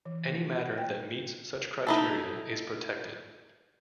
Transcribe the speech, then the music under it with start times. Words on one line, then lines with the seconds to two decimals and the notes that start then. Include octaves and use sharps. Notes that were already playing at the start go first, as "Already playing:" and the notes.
Any matter that meets such criteria is protected.
0.05 E3
0.30 A3
0.47 F4
0.78 G5
1.87 D#4 E4 A4